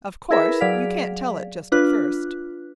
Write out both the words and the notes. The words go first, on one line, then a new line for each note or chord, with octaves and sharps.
Of course you can't tell it just at first.
E4 G#4 A#4 B4 E5 B5
F#3 G#4 D5 F5 B6
D4 F4 B4 F#6